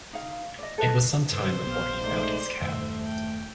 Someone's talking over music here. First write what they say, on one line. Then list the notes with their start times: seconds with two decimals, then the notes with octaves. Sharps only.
It was some time before he found his cap.
0.13 D#4 F5
0.59 D5 D#5
0.78 A4 B4 D#5
1.32 G2 A4 B4 C5
1.65 A#1 B3 G4 F5
2.01 G#3 A3 D#4 D5
2.61 E1 G2 D#3 A3 E5
3.05 G5